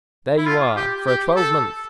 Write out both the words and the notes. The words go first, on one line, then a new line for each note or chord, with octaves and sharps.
There you are, for a twelvemonth!
E4
F4
G4
G4
A4